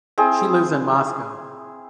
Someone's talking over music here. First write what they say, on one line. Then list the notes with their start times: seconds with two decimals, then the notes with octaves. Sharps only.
She lives in Moscow.
0.18 C4 E4 G#4